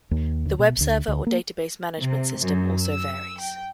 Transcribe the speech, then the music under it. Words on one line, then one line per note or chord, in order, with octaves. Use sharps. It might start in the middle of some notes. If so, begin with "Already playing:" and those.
The web server or database management system also varies.
D#2
D2
B2
D2
D2
A#3
C3
F#2
E6
G5